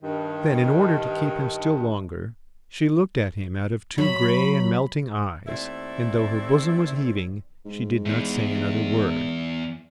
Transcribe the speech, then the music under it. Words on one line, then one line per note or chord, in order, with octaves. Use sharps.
Then, in order to keep him still longer, she looked at him out of two grey and melting eyes, and though her bosom was heaving, she did not say another word.
G2 D#3
F#3 B5
D#2 A3 C4 E4 D5 E5
G#2
E2